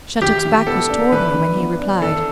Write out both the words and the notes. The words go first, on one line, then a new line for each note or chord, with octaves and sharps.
Shattuck's back was toward her when he replied.
E3 G4
E3
B3 A4
D4
E3 B4
E3
B3
D4
E3 A4